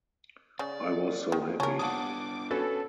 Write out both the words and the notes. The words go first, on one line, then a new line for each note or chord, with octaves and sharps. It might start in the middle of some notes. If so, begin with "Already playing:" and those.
I was so happy.
C#3 D5
D#3
C#3 C#4 G4 A#4 G#5 A5
B3 D4 F#5 A5 D6 D#6
C#4 F#4 A4 B4